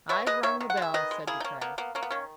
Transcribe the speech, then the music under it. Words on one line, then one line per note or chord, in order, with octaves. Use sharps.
"I've rung the bell," said De Craye.
B3 C#5 E5
G#3 B4 D#5
D#3 C#5 E5
D#3
F#5
G#3 E5
D#3 B4 D#5
G#3
A#3 E4 G#4
D#4
A#3 C#4
A#3 B3
A#3 B3
A#3 C#4
B3
D#3 C#4